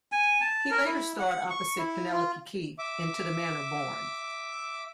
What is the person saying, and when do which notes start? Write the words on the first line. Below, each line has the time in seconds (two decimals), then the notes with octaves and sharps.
He later starred opposite Penelope Keith in "To the Manor Born".
0.12 G#5
0.41 A5
0.71 A#4
0.85 E4
1.19 F#5
1.50 C#6
1.78 E4
2.12 F4
2.79 E5 D6